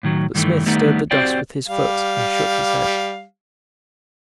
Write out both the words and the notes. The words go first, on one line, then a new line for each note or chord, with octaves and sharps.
But Smith stirred the dust with his foot and shook his head.
A2 D#3 F#3
G2 D#3 E3 A3
D#3 G3 A3 B3 D#4
C4 F#4 G4 C5 D5 G5
G3 F5